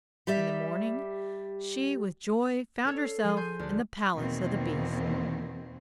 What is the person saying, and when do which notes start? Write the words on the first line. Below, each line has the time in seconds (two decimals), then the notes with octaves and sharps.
In the morning she with joy found herself in the palace of the beast.
0.27 G3 G4 D5 E5
2.85 C#4 A4 C#5
3.03 C7
3.24 F3 G#4
3.37 G#5 C6 G6
3.59 D2 D4
4.16 E2 B2 D#3 A#3 C4